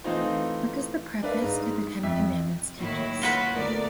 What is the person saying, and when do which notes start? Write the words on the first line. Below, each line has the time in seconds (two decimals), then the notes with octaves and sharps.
What does the preface to the ten commandments teach us?
0.04 E3 A3 C4 D#4 F4 C5
1.23 D4 A#4 B4 E5 F5
1.42 G#2
2.03 F2 E5
2.78 A2 D#3 F#3 A#3 E4
3.22 F4 F#4 B4
3.53 D2 B3 A#4 D5